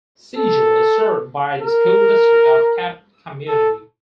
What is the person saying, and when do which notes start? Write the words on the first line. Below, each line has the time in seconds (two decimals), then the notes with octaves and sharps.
Sigel is served by the School District of Cadott Community.
0.37 A4
1.61 A#4
3.48 A4